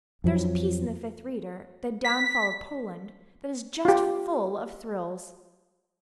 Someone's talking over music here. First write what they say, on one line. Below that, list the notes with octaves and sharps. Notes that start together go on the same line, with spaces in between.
There is a piece in the Fifth Reader--'The Downfall of Poland'--that is just full of thrills.
F2 F3 F#3
B6
F4 G4